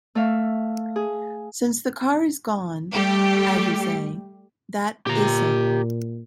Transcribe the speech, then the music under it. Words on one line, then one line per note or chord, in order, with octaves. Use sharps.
Since the car is gone, as you say, that is so.
A3 E5 F5
G#4
G3 A3 G4
A#2 G4 A#5